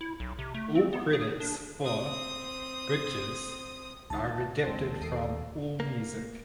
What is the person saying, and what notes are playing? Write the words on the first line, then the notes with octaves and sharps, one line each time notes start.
All credits for "Bridges" are adapted from Allmusic.
E4
B1
C3
A3
C4
B3
G#4
D4
C4 D#6
C#2 D#3 A5 A6
F1 D#2 G#3 C4 C5
D#2 A4 D#6 C7 D7
A#3